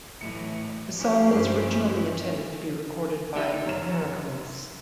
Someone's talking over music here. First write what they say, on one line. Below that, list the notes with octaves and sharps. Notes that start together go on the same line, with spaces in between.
The song was originally intended to be recorded by The Miracles.
A2 E3 F#3 C#7
F3 C#4 E4 G4
G2 A#4 C5
D#4 G4 E5
F#2 C#5 E7